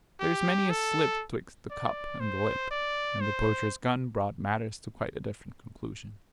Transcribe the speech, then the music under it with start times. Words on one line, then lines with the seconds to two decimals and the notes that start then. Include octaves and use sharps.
"There's many a slip 'twixt the cup and the lip;" and the poacher's gun brought matters to quite a different conclusion.
0.19 G4
0.70 A4
1.70 D5
2.20 C5
2.71 D5
3.20 C5